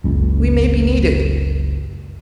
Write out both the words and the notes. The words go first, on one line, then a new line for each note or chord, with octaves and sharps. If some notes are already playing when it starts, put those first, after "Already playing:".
"We may be needed."
F#1 C#2